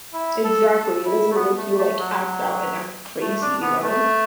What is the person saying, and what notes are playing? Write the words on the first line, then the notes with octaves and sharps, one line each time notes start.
Exactly, it doesn't make you like act out and act crazy, you know?
E4
A4
A4
E4
A3
B3
A3
A3
F#3
A3
D4
B3
A3